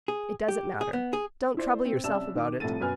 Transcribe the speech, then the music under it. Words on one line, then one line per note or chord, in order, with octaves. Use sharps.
It doesn't matter; don't trouble yourself about it.
G#4
G4
G#4
B3
G#4
E4 C5 D5
C4
C2 C#4 D5 A5 E6 E7
D#3 D6
C2 A2 F3 A4 A6 D#7
F#2 B2 B4 G#5 F6